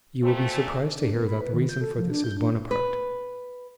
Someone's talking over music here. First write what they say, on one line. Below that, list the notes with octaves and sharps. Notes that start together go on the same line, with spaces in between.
You will be surprised to hear that the reason for this is Buonaparte!
A#2 A3 C4
D4
B3
B5
B4
D#3
G6
A4
F3
D4
G6
D4
B4